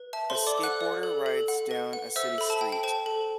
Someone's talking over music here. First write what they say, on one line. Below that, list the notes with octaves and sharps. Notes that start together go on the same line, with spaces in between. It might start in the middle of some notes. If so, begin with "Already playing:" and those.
A skateboarder rides down a city street.
Already playing: B4
E5 A5
C5 C6
A4
D5 D6
A4
F#5 F#6
D5
A4
A4
F#5
B4
F#5
C5 E5 E6
A4 B5
A5
G5
G5
C5 A5
A4